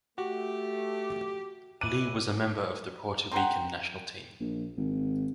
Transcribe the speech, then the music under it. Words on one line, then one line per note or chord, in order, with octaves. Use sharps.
Lee was a member of the Puerto Rican national team.
A3 F#4 G4
C#2 E4 D6 F#6 D#7
C4 F#5 G5 A#5 C6
A#1
G#1